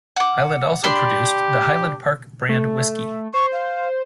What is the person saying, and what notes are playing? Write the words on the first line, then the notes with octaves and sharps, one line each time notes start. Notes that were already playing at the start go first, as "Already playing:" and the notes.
Highland also produced the Highland Park brand whisky.
F#5 D6
D4 G4 B5 C6
A3
C5 C#6
F5